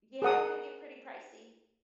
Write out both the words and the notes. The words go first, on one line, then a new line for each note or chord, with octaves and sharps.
Yeah, it could get pretty pricey.
G#4 A#4 F#5 D#6